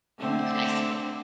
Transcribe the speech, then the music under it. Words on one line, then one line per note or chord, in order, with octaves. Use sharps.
in high school.
D3 A3 C4